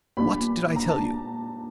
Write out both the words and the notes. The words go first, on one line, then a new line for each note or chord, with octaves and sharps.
"What did I tell you?"
A#2 G3 B3 D4 B5
A#5
A5